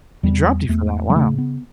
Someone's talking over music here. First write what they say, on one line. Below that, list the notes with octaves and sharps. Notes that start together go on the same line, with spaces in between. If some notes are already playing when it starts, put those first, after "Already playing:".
He dropped you for that, wow.
E2 G3
E2 A3
G3
C#3 A3
B3